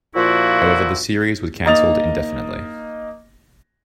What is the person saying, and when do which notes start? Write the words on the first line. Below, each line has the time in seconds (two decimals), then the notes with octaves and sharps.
However, the series was canceled indefinitely.
0.15 A#2 F3 E4 F#4
1.66 A#3 D#4 D#5 A6 F7